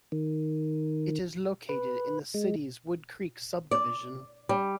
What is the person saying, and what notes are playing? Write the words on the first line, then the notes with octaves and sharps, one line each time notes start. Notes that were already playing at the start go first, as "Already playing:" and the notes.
It is located in the city's WoodCreek subdivision.
D#3
B4
G#3
D5
G3